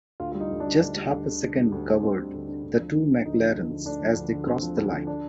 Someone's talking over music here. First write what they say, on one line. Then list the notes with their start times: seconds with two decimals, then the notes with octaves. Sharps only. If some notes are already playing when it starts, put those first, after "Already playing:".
Just half a second covered the two McLarens as they crossed the line.
0.20 D2 F4
0.32 G3 F4
0.40 D#4
0.50 D2
0.60 D4
0.66 D3
0.81 D2
0.96 G3
1.11 D2
1.26 D3
1.42 D2
1.57 G3
1.72 D2
1.88 D3
2.03 D2 C4
2.18 G3
2.34 D2
2.49 D3
2.64 D2
2.79 F3
2.95 D2
3.09 D3
3.25 D2 D#4
3.39 F3
3.55 D2
3.70 D3
3.85 D2 D4
4.01 F3
4.16 D2
4.32 D3
4.46 D2 C4
4.62 F3
4.77 D2
4.92 D3
5.07 D4